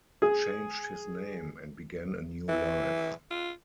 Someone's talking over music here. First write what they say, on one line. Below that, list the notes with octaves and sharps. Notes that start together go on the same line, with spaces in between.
He changed his name and began a new life.
G#4
E3
F4